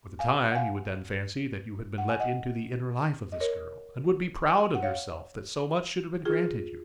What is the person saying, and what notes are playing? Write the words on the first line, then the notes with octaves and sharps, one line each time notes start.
For the time you would then fancy that you had been let into the inner life of this girl, and would be proud of yourself that so much should have been granted you.
F5 G#5
F#5
F5 G#5
F#5
G#5
D#5 F#5
D#5
A#4 C#5
F#5
C#5 F5
F4 G#4